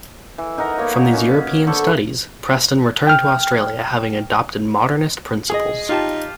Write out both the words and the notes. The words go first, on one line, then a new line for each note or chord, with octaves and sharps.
From these European studies, Preston returned to Australia having adopted Modernist principles.
E3
D#4 A#4 D#5 F#5
A#3 B3 C#5 F#5
C#4 F#4
D3 A4 C5 C#6
G5 F6
G#4 D#5
D#4 F4 G4 A5